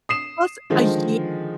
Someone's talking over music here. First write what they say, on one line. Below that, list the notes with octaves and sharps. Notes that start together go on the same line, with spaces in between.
Plus a year.
D#6 C7 E7
D3 D#3 F3 G#3